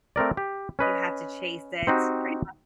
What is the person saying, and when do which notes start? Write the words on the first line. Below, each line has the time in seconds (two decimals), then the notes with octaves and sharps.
you have to chase it pretty much
0.16 A3 C4 A#4 D5
0.37 G4
0.79 C#4 B4 D#5
1.87 C4 D#4 F#4 G4